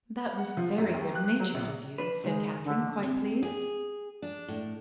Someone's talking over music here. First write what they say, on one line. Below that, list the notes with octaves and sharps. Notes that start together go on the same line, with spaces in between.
"That was very good-natured of you," said Catherine, quite pleased.
F#5
F3
F#2
D#2
F#6
F#3
A#1
D4 B4
C#2 F#2 D#3 G#3
D3
C3
G#4
D4
A2